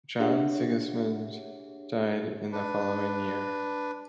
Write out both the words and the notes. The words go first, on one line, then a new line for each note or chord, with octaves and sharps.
John Sigismund died in the following year.
D4 G4 G#4 C#5 E5 F#5
D4 B4